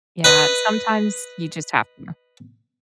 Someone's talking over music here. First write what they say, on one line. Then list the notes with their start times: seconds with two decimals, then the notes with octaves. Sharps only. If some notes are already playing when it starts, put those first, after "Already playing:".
Yeah, sometimes you just have to.
0.24 B4 D#5